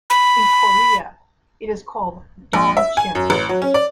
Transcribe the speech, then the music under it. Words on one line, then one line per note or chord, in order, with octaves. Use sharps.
In Korea, it is called ttongchim.
B5
A#1
E5
G#5
F#2
A1
F#3
C#4
D5